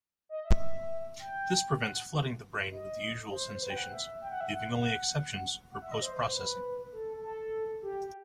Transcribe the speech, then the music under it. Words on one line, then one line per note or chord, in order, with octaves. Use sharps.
This prevents flooding the brain with the usual sensations, leaving only exceptions for post-processing.
D#5
E5
G5
F#5
D#5
C5
B4
G5
F#5
E5
G5
F#5
E5
F#5
F#5
E5
D#5
C5
C5
B4
A4
A4
G4